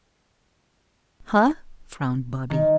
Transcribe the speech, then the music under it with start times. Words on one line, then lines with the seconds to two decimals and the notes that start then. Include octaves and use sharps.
"Huh?" frowned Bobby.
2.50 D#3